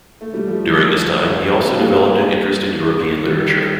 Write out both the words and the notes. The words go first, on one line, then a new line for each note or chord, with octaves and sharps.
During this time, he also developed an interest in European literature.
A3
G3
F3 A3
C4
G3 A#3
D#3 G3